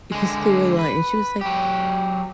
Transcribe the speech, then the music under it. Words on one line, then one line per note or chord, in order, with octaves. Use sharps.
he's clearly lying. And she was like,
D3 G#3
B4
F#3 G4